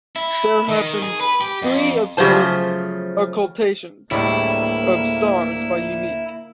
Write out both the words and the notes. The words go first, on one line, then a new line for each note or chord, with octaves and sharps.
There have been three observed occultations of stars by Eunike.
E4
D#3
G#4
B4
G4
F2
C#3 F3 F#3 A3 C5 A5
D2 A2 G3 G#3 A#3 E4 A4